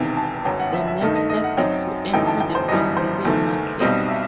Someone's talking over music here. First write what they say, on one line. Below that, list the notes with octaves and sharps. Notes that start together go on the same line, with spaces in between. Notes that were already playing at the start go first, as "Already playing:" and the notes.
The next step is to enter the Brazilian market.
Already playing: E1 E2 C3 D#3 G5
A5
G1 F#2 F#3 G5
F#5
E5
E5
G2 D#3 A3 D#4 E5
D#5
D#5
F#5
F#2 F#3 C4 D#4 G5
G1 F#2 E3 A3 D#4 G5
A5
G5
C5
G1 F#2 E3 G3 D#5
C5
F#1 E2 D#3 A3
B1 B2 G3 C4 D#5
E5